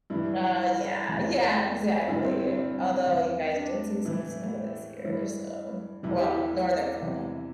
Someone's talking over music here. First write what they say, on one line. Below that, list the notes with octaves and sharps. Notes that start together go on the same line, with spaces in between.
Uh, yeah, yeah, exactly, although you guys did see some snow this year, so well, Northern Florida.
G2 E3 E4
E4
E4
E2 C3 E3
G2 D3 E4
C4
C4
E2 E3
D4
A2 E3 E4
G2 E3 E4
E2 E3 E4
G4
E4
E2 C3 E3